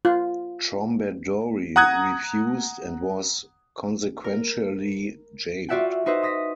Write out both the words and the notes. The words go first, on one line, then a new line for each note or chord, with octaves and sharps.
Trombadori refused and was consequentially jailed.
F4
F#5 A#5 D#6 F#6 G#6
A#4
F4 F#4 D5 E5 F#5 G5
D#4 F#4 B4 C5 D#5 E5
C6 D#6 A#6 B6